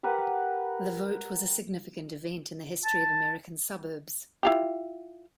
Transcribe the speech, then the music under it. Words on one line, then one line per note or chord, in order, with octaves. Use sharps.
The vote was a significant event in the history of American suburbs.
G4 A#4 B4 F#5
A5
E4 F4 G4